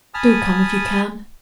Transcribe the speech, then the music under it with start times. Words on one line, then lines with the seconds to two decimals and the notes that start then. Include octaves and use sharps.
Do come if you can.
0.14 G#5 A5 B5 D#6 F6